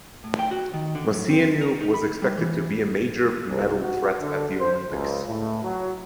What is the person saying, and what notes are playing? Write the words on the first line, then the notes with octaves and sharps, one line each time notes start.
Moceanu was expected to be a major medal threat at the Olympics.
A2
G5
F#4
D#3
D3
F#3
C4
A#4
D#4
B5
G3
E3
C2
F#4
D3
C5
C#2
A2
F#3